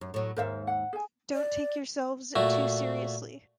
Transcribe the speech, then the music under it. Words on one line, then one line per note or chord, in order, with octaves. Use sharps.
Don't take yourselves too seriously.
F#2
A2 F#3
D#2 G#2 A#4 C5 E5 F5
F#5
G#4 G#5
D5
A#2 A3 F#4